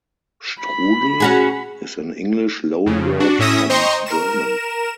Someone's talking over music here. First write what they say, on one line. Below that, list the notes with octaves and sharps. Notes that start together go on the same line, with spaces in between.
Strudel is an English loanword from German.
B5
C#4 F#4 G#4
F2 C#3
D4 F#4
A2 C#4 E4 E5 D#6 A#6
C5 D#5 G5 A#5 C6 C#6
A#4 E7